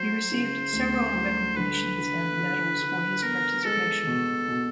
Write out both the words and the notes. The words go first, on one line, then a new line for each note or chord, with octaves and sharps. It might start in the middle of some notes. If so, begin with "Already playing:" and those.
He received several recognitions and medals for his participation.
Already playing: F#3 C5
C#3
D2
F#3
D3 B4
D3
D3
D3
B3 A#4
G#3 A4
B2
B2